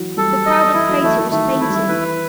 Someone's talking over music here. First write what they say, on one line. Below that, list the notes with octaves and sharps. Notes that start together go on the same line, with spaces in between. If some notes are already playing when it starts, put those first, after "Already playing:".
The crowded crater was fainting.
Already playing: E3 F#3
G3 A4
D#5
E3 E4
F#3
E3 A3
E3
D#3 A3
E3
E4
G3
E3 B4